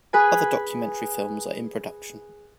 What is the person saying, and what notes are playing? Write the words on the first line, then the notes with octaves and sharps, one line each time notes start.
Other documentary films are in production.
G#4 B4 G#5